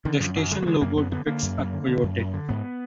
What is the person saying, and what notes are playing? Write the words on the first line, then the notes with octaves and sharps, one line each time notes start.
The station logo depicts a coyote.
D3 D#3
F#2 F3
F#2 F#3
D3 G#3
A#3
D3 G#3
F#2 A#3
F#2 B3
D3 B3
D3 A#3
F#2
F#2
D3
D3
F#2
F#2
D3
G#2 B3